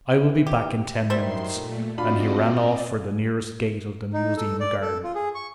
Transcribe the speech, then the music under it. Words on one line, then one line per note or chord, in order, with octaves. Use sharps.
I will be back in ten minutes.' And he ran off for the nearest gate of the Museum gardens.
E3
G4
F#2 D#3 G3 C5 E5 C6
A#2 A3
C4 D4 F4 F#4 D5 D#5 B5
D#4
A4
D5
A4
F4
G#4
C#6